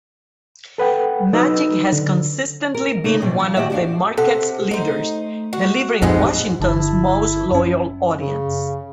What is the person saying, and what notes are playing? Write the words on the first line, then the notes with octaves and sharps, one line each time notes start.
Majic has consistently been one of the market's leaders, delivering Washington's most loyal audience.
A4 B4 F#5 G5
F#3 D#4 B4 E6
D3
A#4
C#3 A#3 D#4
B2 D#3 E3
F3
F#4 G4 D#5 E5 F#5
F#2 D4 F#4 G#4 F5
C3 A4 F#5
A3 D#4 C5
F#4
A#1 F2 G#2 C3 G#3 B3
G1 D3 E4 A5
F#2 C#4
C#3